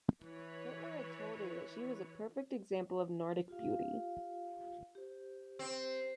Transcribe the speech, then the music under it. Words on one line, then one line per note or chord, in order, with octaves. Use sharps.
Hitler had told her that she was a perfect example of Nordic beauty.
E3 B4 C#5
F4 G4 F5
G4 C5
C4